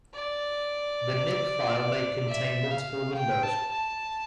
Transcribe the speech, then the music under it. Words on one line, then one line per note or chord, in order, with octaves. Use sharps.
The nib file may contain multiple windows.
D5
E5
F5
G5
A5
A5